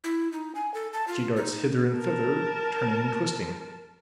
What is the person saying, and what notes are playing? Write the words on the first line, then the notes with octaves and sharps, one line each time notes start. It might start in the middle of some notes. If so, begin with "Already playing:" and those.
She darts hither and thither, turning and twisting.
E4
D#4
G#5
A4
A5
F4
D#4
A#4 A5